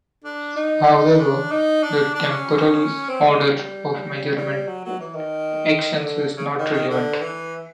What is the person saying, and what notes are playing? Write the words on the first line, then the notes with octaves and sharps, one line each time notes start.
However, the temporal order of measurement actions is not relevant.
D4
D#4
D4
D#4
D4
D4
C#4
C4
G#3
G3
G3
F#3
F#3
E3
D#3
D3
C#3
C#3
D#3
D#3
D3
E3